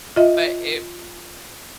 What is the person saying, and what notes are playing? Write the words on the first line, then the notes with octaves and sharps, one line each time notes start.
But it
F4 D#5 E5